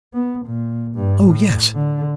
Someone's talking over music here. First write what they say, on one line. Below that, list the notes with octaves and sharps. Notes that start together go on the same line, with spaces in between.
"Oh, yes."
B3
A#2
G2
A2
D3